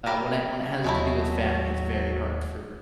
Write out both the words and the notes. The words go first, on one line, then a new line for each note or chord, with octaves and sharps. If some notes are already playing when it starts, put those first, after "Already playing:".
when it when it has to do with family, it's very hard for,
G3 G4 A#4
D#2 F#3 G#3 A3 E4 F#4